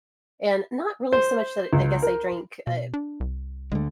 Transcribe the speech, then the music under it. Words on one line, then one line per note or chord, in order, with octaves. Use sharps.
and not really so much that I guess I drank, uh,
C5
C#2
A#4
B2
D4
C2
D2 D3 G#3